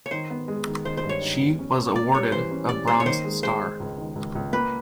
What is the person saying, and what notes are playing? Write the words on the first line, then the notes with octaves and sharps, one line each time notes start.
She was awarded a Bronze Star.
C#5
D#3 C5
B3
G#3
D#3
D#3 C5
C5
G2
C#5
D#3
B3
C#4
C#4
A#3 D5
G3 C#5
E3 C5
C#4
G3 D5
A#3 C5
C#5
D#3 C5
G#3
G#3 C5
G#3
C#2
D#3
C#2
C#2
A#3 B4